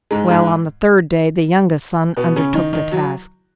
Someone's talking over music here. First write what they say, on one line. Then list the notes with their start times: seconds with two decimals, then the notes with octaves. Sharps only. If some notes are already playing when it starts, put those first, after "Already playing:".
Well, on the third day the youngest son undertook the task.
0.11 G#2 G#3
0.29 G#2 G#3
2.17 B2 B3
2.36 C#3 C#4
2.54 D#3 D#4
2.73 D#3 D#4
2.92 F#3 F#4